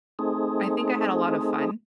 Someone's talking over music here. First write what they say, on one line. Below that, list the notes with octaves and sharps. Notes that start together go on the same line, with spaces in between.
I think I had a lot of fun
A3 C4 D#4 G#4